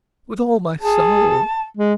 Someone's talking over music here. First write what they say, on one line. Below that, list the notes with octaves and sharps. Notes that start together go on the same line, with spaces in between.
"With all my soul."
G#4 A5
G#3